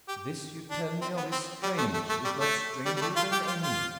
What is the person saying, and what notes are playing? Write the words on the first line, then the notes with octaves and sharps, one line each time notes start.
This you tell me of is strange--if not stranger than any!
G4
D4
C4
B3
C4
G3
A3
A3
A3
G3
A3
G3
G3
A3
F4
G4
F4
F4